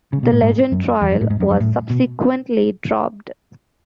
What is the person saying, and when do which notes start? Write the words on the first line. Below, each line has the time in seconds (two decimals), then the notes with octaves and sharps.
The "Legend" trial was subsequently dropped.
0.13 C#3
0.23 B2
0.32 A2
0.42 G#2
0.72 F#2
1.01 E2
1.11 F#2
1.21 A2
1.30 G#2
1.40 F#2
1.51 F#2
1.60 A2
1.90 B2